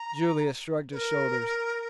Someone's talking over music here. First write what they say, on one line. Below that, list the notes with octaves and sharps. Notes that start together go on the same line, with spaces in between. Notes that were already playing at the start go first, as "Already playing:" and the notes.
Julius shrugged his shoulders.
Already playing: A#5
B4
A#4